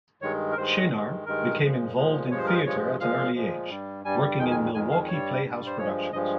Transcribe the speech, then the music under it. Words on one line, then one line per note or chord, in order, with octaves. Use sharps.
Shenar became involved in theatre at an early age, working in Milwaukee playhouse productions.
G2 D#3 G#3 C#5
A#4
G2 D#3 G#3 C5
G2 D#3 G#3
G2 D#3 G#3 A#4
A#2 F3 G#3
A#2 F3 G#3
G2 F3 G#3 C#5
C5
A#4
C5
G2 F3 G#3 C#5
A#2 F3 G#3 F5
A#2 F3 G#3
G2 G3
G2 G3 G#5
F2 D#3 G#3 G5
G#5
F2 D#3 G#3 G#5
F5
G2 G3 C#5
G2 G3
C5
G2 F3 G#3 C#5
G2 F3 G#3 D#5